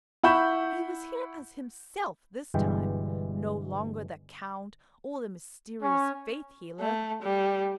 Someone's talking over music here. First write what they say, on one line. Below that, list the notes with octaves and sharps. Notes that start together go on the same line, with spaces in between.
He was here as himself this time; no longer the count or the mysterious faith-healer.
E4 F#5 B5 C#6 G6 E7
G1 G2 B2 E3 G#3 G5
C#4
A3
G3